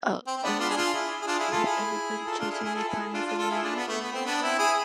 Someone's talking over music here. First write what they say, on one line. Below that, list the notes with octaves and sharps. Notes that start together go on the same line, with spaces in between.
Uh, Oh, yes, have everybody chosen a partner for the move?
C4
C4
B3 D4
D4 F4
G#4
D4 F4
E4 G#4
G#4
D4 F4
E4 G#4
F4 A4
E4 G#4
F4 A4
D4 F4
E4 G#4
E4 G#4
F4 A4
E4 G#4
D4 F4
D4 F4
F4 A4
E4 G#4
D4 F4
B3
A3
B3
C4
B3 D4
C4 E4
E4 G#4